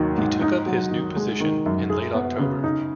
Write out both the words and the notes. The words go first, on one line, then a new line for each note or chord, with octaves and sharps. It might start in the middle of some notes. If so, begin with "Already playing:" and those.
He took up his new position in late October.
Already playing: D#2 D#3 F#3
G#2
D#4
F#3
D#3
G#3
D#3
F#2
G#4
B3
C#3
D#4